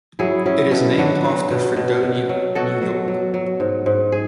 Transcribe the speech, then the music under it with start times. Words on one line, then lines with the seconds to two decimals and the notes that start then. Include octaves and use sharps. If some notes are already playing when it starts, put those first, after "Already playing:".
It is named after Fredonia, New York.
0.19 F#3 E4 G#4
0.46 F#3 C#4 E4
0.71 B2 C#4 E4
0.98 F#3 D4 F#4
1.24 F#3
1.50 B2
1.76 B2
2.03 B2
2.29 F#3
2.55 B2 F#4 A4
2.82 F#3
3.08 F#3
3.34 F#3
3.60 G#2
3.86 G#2
4.12 G#4